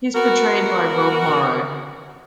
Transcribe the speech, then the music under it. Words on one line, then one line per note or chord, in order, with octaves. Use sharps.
He is portrayed by Rob Morrow.
B3 F#4 A#4